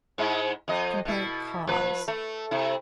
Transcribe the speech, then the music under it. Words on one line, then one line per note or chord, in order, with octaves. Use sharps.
Compare CAUSE.
G#2 G#3 E4
F2 D#5
B2 E4
F3 B4
A3
C3 E4